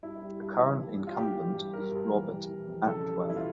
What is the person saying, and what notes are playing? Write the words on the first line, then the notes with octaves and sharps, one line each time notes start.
The current incumbent is Robert Atwell.
G2 E4
G3
G2
E3
G2
G3
F4
G2 G4
E3
G2
G3 A#4
G2
E3
G3
E3
F2
C#3 A4
G3
E3
E4
F4